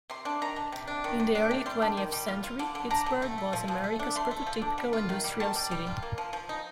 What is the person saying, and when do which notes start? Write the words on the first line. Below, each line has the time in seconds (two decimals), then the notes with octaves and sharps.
In the early twentieth century Pittsburgh was America's prototypical industrial city.
0.10 C3 C6
0.25 D4
0.42 D#3 A#5
0.56 D4
0.72 C3
0.87 D4
1.04 D#3
1.20 C3
1.35 D4
1.51 C3
1.66 G3 C6
1.82 D4
1.97 D#3
2.12 G3
2.28 F4
2.43 F4
2.59 D3
2.75 D3
2.91 D4 A#5
3.06 D3
3.22 A3
3.38 A3
3.53 F3
3.68 F3
3.84 A3
3.99 D4
4.16 A3 C6
4.31 A3
4.47 F3
4.62 D4
4.78 G3
4.93 F4
5.09 D#3
5.24 G3
5.40 D#3 A5
5.56 G3
5.71 G3
5.87 F4
6.03 A#3
6.18 F3
6.33 F3
6.49 D#4